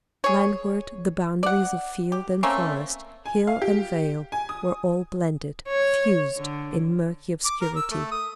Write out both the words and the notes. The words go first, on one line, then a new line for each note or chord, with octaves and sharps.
Landward, the boundaries of field and forest, hill and vale, were all blended, fused, in murky obscurity.
G#4 C#5
D5 F#5
G4
A3 A#3 C4 C#4
G#5
F5
G4
G#5
D#6
C#5
D3
D6
A#4
E6
A3
D#6